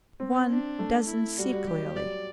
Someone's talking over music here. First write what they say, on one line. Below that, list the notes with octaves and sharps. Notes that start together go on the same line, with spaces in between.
One doesn't see clearly.
C4
D4
A3
E4
G3 F#4
G3
F#3 G4
D5